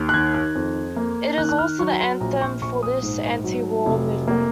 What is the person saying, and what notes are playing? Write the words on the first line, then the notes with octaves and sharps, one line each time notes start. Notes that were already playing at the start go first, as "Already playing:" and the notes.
It is also the anthem for this anti-war movement.
Already playing: D#2
F#6
D#3 G#6
F#6
F2
A#3
D#3 F#6
F#6
F6
F#3 C#6
A#5
C6
A#1 A#5
C#6
A#1 C#6
D#6
G#2
F#3
F1
A#3